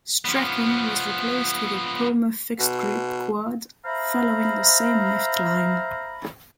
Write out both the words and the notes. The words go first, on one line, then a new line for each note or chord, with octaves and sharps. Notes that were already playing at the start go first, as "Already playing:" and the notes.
Strachan was replaced with a Poma fixed-grip quad following the same lift line.
F3 B3
B2
C5 E5 F5 A#5 B5